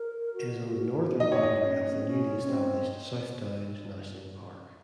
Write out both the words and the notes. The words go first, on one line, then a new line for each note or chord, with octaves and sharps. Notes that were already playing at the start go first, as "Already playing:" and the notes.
It is on the northern boundary of the newly established South Downs National Park.
Already playing: A#4
F#4
F4
F#4
D#4 D#5
C#5
D#5
C#4
A#3
C4
C#4
C4